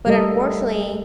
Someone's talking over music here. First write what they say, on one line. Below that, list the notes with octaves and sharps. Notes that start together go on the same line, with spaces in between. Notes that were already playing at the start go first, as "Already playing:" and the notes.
But unfortunately,
G3 A3 A4 A#4 D#5